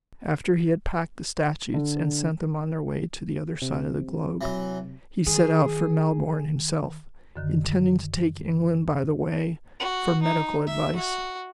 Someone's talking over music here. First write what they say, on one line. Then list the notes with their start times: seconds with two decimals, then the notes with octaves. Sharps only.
After he had packed the statues, and sent them on their way to the other side of the globe, he set out for Melbourne himself, intending to take England by the way for medical advice.
1.74 D3
3.62 C3
4.41 E3 F#3
5.27 D#3 G#4
7.36 F#2 D3 D#3
9.80 F#4
10.22 D#4
10.67 E5
10.96 F#4